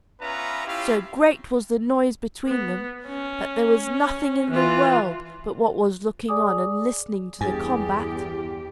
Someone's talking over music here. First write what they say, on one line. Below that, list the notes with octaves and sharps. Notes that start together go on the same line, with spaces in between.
So great was the noise between them that there was nothing in the world but what was looking on and listening to the combat.
B3 C#4 F4 B4 E5 A#5
C#4 E4 F4 G4 E5 F5
B3
C#4
E3 F4
G#4 D5 G#5 D6 D#6
E2 G2 G4 G#4 G#5 A6